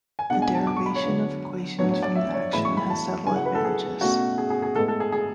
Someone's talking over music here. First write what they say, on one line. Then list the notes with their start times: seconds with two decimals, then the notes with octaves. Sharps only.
The derivation of equations from an action has several advantages.
0.19 G#5
0.30 B2 G#3 D4 F#5
0.42 G#5
0.54 A5
0.67 D6
0.77 C#6
0.86 B5
0.95 C#5
1.04 D3 F#3 B3 D4
1.78 A2 F#3 B3 D4 C#5
1.91 C#5
2.03 D5
2.16 E5
2.34 C#5
2.53 A2 E3 G#3 B3 E4 B5
2.65 C#6
2.77 B5
2.90 A5
3.27 C#3 F#3 C#4 E4 G#5
3.36 F#5
3.46 B4
3.55 A4
3.65 G#4
4.01 B2 A3 C#4 F#4
4.38 G#4
4.50 G#4
4.62 G#4
4.75 A2 G#3 B3 A4
4.88 A4
5.00 G#4
5.12 G#4